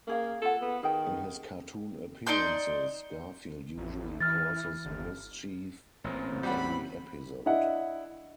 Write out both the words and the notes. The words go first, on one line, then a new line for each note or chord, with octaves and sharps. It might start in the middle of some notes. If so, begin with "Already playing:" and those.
In his cartoon appearances, Garfield usually causes mischief in every episode.
A#3 C#4 G#4 F5
F4 A4 F#5
B3
D#3 G#4 G5
D#4 D5 C6 G6
A1
E3 F6 A6
G1
A1 A#2 A#3 C4 C#4
G3 F#4 B5
D4 E4 D#5 F#5